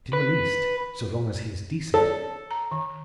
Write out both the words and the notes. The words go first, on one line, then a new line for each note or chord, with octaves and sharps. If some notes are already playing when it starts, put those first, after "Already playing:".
"Not in the least, so long as he is decent."
B4
A4 C#5 D5 A5
A#5
D#3